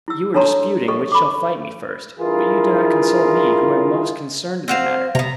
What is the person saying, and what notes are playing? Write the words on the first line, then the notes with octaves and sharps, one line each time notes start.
You are disputing which shall fight me first, but you do not consult me who am most concerned in the matter.
E4 E6
D4 A4 C#5 A5 A#5 C6
A4 D#5 C#6
B5 D6
G2 E3 E4 F4 G#4 A#4
C4 F#4 F5
C3 B3 A#5